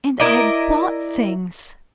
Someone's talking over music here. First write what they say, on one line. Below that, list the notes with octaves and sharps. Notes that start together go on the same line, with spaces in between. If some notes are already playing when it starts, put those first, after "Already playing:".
And I bought things!
E4 A#4 D5 D#5